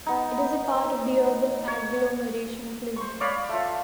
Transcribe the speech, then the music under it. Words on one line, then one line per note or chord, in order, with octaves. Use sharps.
It is part of the urban agglomeration of Lisbon.
B3 D#4
C#5
C5 C#6
C#5 D5 F5 B5
A3 F4